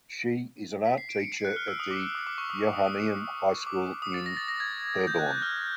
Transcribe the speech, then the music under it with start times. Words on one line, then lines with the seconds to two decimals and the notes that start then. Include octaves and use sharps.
She is an art teacher at the Johanneum high school in Herborn.
0.86 B6
0.98 C7
1.09 D7
1.20 C#7
1.32 C7
1.45 F#6
1.56 F6
1.68 E6
1.80 D#6
1.91 D6
2.15 D#6
2.27 D6
2.38 C#6
2.50 D#6
2.73 D#6
2.85 D#6
3.66 D6
4.02 D#6
4.14 A6
4.26 A#6
4.37 A6
4.48 A#6
4.60 G#6
5.07 G6
5.19 F#6
5.30 F#6
5.42 F6